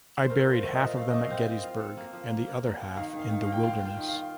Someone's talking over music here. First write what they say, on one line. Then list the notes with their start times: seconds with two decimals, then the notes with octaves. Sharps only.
I buried half of them at Gettysburg and the other half in the Wilderness.
0.24 C5
0.29 A3 A#4
0.46 A#2
0.51 C5
0.62 A3
0.74 D#5
0.80 A#2
0.97 A3 F5
1.10 A3 D#5
1.23 F5
1.30 C4
1.47 C4
1.63 F4
1.80 A4
1.97 A#3
2.13 F3
2.29 A#3
2.47 A#3
2.64 A#3
2.80 A#3
2.96 D#3 F5
3.13 D#3
3.19 F5
3.30 D#3
3.41 F5
3.47 A#3
3.52 G5
3.63 F4 F5
3.81 F4 G5
3.97 D#3
4.08 F5
4.13 F4